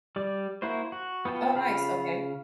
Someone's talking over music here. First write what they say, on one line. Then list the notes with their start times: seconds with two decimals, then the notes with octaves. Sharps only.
Oh, nice, okay.
0.16 G3 D5
0.62 A#3 E4 F#4 C5
0.92 F#4
1.25 B3 F4 G5 A5
1.55 C#3 F4 F5 B5